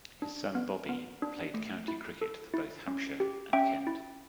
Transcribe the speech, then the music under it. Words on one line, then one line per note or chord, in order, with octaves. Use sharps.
His son, Bobby, played county cricket for both Hampshire and Kent.
D4
B3
B3
D4
A3
E4
A4
E4
C#4
G4
C#4 E5 G5
E4